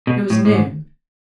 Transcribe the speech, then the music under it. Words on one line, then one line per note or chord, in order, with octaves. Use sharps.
It was noon.
B2
A2
A2
G#2